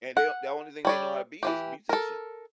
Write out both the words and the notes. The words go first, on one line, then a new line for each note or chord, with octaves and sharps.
and they don't the only thing they know how to be is musicians,
F#5
G3 C#5 D5
E3 F3 G4
A4 A#4